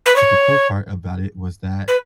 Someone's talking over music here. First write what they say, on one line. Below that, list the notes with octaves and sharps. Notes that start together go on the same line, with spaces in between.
But the cool part about it was that,
B4
C#5
B4